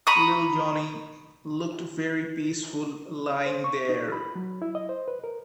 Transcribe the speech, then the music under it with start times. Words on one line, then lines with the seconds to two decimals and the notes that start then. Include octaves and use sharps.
Little Johnnie looked very peaceful lying there.
0.07 A#5 B5 C#6 D#6
3.46 C5
3.64 C#6
3.89 D#4
4.12 B5
4.36 F#3
4.62 E4
4.75 D#5
4.89 C5
5.08 B4
5.24 A#4